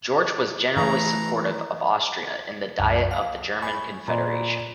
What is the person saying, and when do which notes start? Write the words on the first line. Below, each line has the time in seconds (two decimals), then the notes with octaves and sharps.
George was generally supportive of Austria in the Diet of the German Confederation.
0.76 E3 A3 A#5
2.79 C2 F#2
3.11 F5
3.62 G#5 B5 C#6
4.08 A#2